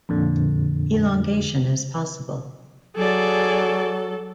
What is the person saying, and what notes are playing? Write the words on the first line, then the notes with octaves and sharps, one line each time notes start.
Elongation is possible.
F2 A#2 D3
F#3 G#4 A4 D5